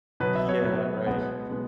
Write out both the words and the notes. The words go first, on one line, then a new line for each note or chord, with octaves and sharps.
Yeah, right.
B2 F#3 B3 B4
E5
C#5
B2 F#3 B3
B2 G#3 B3 F#5
B2 G#3 B3